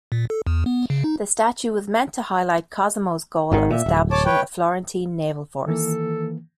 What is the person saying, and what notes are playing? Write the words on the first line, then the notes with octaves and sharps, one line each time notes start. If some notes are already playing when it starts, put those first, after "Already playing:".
The statue was meant to highlight Cosimo's goal of establishing a Florentine Naval force.
A#2
A4
E2
B3
C#3
D#4
G#1 G#2 D#3
A#2 E5
D1
C#5 A5 D6
B4 C#5 G5
D#3 E3 A#3 A4